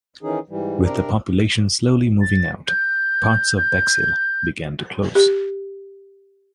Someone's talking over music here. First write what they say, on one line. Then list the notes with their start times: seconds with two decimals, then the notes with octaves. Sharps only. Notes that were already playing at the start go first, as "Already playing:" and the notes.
With the population slowly moving out, parts of Bexhill began to close.
0.23 D#3 E3 C#4 D#4 G#4
0.49 G#2 E3 G3
0.85 C3 C4 D4 A#4 D5 A#5
2.21 A6
2.68 G6
3.57 G6
5.15 G4